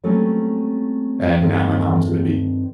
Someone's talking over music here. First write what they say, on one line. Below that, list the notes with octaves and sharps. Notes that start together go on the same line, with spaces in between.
And now my mom's gonna be
F#3 G3 A3 A#3 C4 C#4
G2 D#3 C4 A4 A#4 E5